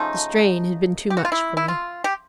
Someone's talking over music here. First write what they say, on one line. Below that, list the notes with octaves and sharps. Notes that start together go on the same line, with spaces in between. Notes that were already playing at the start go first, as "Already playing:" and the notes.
The strain had been too much for me.
Already playing: C#3 F3 A3 D#4
G4
F#4
F4
E4
E4
F4
G4